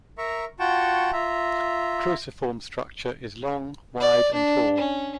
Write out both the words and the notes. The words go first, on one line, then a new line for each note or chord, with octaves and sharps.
The cruciform structure is long, wide, and tall.
A#4 E5 A#5 C#6
F4 F#4 F#5 G5 A5 C#6
F4 E5 A#5
D5
D4
C#4